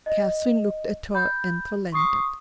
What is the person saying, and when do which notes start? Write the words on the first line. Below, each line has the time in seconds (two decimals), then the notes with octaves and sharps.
Catherine looked at her and relented.
0.06 D#5
1.15 B5 G6
1.92 C6 C#6 D#6 C7